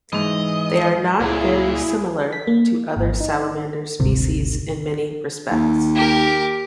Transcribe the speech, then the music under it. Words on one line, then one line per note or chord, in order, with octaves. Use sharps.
They are not very similar to other salamander species in many respects.
G#2 E3 D#5 F7
C#2 A#2 E4 G#4
B6
A#3
G#1
D#4
G#1 D2 C3
D#2
G4 A#4